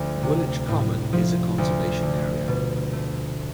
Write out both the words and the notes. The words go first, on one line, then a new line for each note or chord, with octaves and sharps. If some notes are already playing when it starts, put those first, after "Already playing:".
Woolwich Common is a conservation area.
Already playing: D2 D3 F3
C3
A2
F3
D2
D3
B2
A3